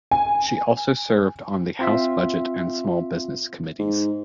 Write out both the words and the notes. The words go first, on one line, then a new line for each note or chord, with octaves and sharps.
She also served on the House Budget and Small Business Committees.
G#5
C4 F4 E5
G#2